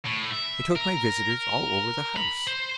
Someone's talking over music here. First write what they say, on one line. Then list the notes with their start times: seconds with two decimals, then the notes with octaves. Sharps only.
I took my visitors all over the house.
0.05 A2
0.31 E5
0.75 A#4
2.17 B5
2.47 C5